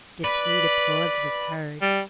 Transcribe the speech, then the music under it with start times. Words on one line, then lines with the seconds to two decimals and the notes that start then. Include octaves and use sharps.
Discreet applause was heard.
0.24 B4 D5
1.81 G3